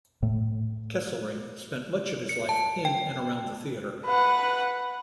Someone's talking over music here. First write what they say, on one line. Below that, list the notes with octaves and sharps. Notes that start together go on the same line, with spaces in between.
Kesselring spent much of his life in and around the theater.
A2 A3
C#7
A5
G5
B4 F#5